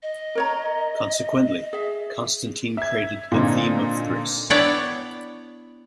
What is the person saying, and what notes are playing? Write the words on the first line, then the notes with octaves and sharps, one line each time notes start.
Consequently, Constantine created the Theme of Thrace.
D#5
A#4 C#5 A#5
G#4 E5
E5 G#6
A#2 D3 C4 D#4
B3 D4 E4 C#5 D5 G5